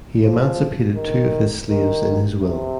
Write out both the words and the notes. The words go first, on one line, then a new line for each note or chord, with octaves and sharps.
He emancipated two of his slaves in his will.
F3
D#3
D#3
C3